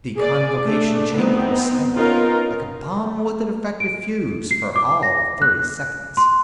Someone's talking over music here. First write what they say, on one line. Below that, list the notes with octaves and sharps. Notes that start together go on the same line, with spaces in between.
The Convocation Chamber was silent, like a bomb with a defective fuse, for all of thirty seconds.
G#4 D5
A3 D4
B3 C4 D#4
B3 C#4 D#4 F4 A#4
D7
C7
D6
A#6
F#6
C6